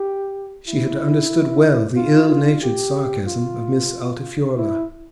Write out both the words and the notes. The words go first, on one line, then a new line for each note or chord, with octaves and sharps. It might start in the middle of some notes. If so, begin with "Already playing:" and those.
She had understood well the ill-natured sarcasm of Miss Altifiorla.
Already playing: G4
E4
F4
F4
G4
F4
E4